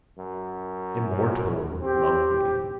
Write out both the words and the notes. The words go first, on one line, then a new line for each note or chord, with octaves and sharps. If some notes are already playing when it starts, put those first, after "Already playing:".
Immortal lovely.
F#2
C4 G4